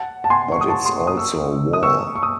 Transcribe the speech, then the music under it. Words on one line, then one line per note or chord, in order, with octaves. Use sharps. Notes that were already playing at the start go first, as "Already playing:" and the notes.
But it's also war.
Already playing: F#5 A5
A5
G#5 C6
C#6
D#6
A5 C#6
C6
C#6
D#6
C#6 E6
D#6
C#6 E6
C#6
D#6